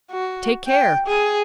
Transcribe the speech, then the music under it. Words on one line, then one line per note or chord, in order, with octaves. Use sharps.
Take care!
F#4
G5
G#4